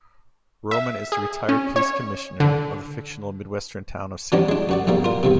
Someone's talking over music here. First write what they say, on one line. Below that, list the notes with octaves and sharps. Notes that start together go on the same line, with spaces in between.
Roman is the retired police commissioner of the fictional midwestern town of Salem.
E5
G#4
C#4
C#5
D3
E3 F#3 G3 C#4 D4
G#3 D4
F#2 F#4 D5
B1 G#2 G3 A#3
F4 A#4
E2 G2 C3